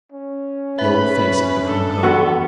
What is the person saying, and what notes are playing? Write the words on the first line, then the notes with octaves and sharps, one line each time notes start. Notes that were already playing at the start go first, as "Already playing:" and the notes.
The old face had become purple.
C#4
B4 E5 B5
D4 A4
E3 G3 B3 F#4